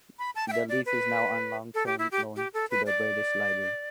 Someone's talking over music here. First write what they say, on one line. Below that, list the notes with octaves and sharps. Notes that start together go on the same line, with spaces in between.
The leaf is now on long-term loan to the British Library.
B5
A5
G5
E5
D5
B4
A4
G4
E4
G4
G4
A4
B4
D5